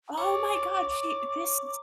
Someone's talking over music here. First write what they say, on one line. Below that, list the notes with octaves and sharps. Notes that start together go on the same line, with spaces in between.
Oh my god, she this is
C#5 A#5 C#6 D6